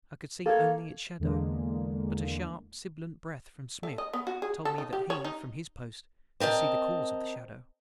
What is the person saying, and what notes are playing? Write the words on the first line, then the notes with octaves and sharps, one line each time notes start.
I could see only its shadow, but a sharp, sibilant breath from Smith told me that he, from his post, could see the cause of the shadow.
A#3 A4 C#5
E2 D3 G#3 A#3
A3
D#5
B3
F#4
G#4
A4
D#4
G4
C#5
D#4
C4 A#4 D#5 A5